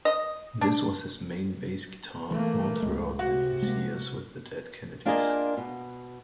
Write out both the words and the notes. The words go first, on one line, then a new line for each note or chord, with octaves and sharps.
This was his main bass guitar all throughout his years with the Dead Kennedys.
D#5
D4
E3 A3 A#3
C#2 G#2 G#3
C3 F#4
G#3 A#3
A#3 D4 F4 G#4 A#4 D#5
B2